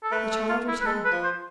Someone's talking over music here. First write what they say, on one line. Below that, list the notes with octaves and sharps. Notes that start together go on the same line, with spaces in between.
The child returned.
A4
A3 B4
A4
F4
E4
B4
G#3 A4
B4
F3
C5